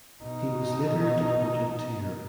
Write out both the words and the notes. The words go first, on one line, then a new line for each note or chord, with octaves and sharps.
He was later deported to Europe.
B2 D#4